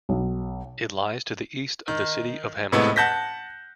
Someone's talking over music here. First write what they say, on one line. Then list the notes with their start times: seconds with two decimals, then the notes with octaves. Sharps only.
It lies to the east of the city of Hamilton.
0.09 B1
1.88 D#3
2.72 A2 C3 G#3 A3 B3 E4
2.96 F#5 A5 G6 A#6 B6